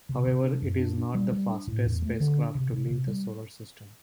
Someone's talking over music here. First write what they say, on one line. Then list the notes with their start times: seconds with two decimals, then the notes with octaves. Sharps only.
However, it is not the fastest spacecraft to leave the Solar System.
0.09 C3
0.27 C3
0.44 D4
0.62 F#2
0.79 D4
0.97 D4
1.14 G3
1.32 G3
1.49 D4
1.67 A2
1.85 E2
2.02 A3
2.20 D3
2.37 D4
2.55 C3
2.73 C3
2.90 C3
3.07 G3